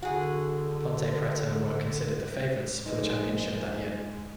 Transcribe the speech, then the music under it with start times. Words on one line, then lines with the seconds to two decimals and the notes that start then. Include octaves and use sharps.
Ponte Preta were considered the favorites for the championship that year.
0.02 D3 F#4 G#4
2.86 A#1 G#3 D#4 G#4 B4 D#5